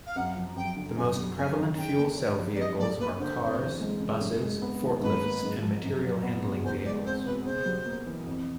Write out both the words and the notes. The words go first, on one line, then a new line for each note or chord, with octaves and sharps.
The most prevalent fuel cell vehicles are cars, buses, forklifts and material handling vehicles.
F5
F#2 F#5
F3
F#2 G5
D3
F#2 G#5
G3
F#2 G#5
D#3
C#3 G5
A#3
C#4
F3
D5
G2 D#5
G3 D5
A#3 B4
D3 C5
F2
E3
G#3
C#3
G2
G#3
B3
D#3
G#2 B4
A#3
G#2
F3
F#2
F#3
B3
C#3
E2 C5
G#3 D5
C4 C5
B2 B4
C#3 C5
G3
A#3
E3
F2